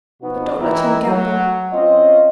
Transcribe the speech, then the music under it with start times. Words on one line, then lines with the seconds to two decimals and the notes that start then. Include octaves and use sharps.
But don't let him gamble.
0.22 B2 F3 B3 D#4 F#4
0.61 E3 D#4 E4 E5 G5 A#5
1.06 F#3
1.73 C4 C#4 F4 D#5